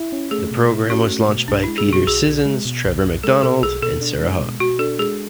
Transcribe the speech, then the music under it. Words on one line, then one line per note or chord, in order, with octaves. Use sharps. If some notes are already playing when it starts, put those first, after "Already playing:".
The programme was launched by Peter Sissons, Trevor McDonald and Sarah Hogg.
Already playing: E4
C#4
A3 G#4
B2
E4
C#4 F#4
A3
B2
B1 D4
G#3 E4
G#4
B2
F#4
B1 G#4
B1
G#3
B2
B1
B1
G#3 A4
B2 A4
B1 G#4
B2 A4
D4
G#3
B2
B2 F#4
D4 A4
G#3 G#4